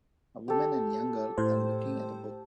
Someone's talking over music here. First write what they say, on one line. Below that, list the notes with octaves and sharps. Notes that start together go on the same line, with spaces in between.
A woman and young girl are looking at a book.
G4 A4
A2 C5